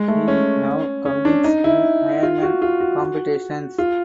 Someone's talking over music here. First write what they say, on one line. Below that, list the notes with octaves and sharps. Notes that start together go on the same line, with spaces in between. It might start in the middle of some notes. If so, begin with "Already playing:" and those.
He now competes in Ironman competitions.
Already playing: G#3
A3
C#4
C#4
D4
D#4
E4
F4
F#4
F4
F#4
F4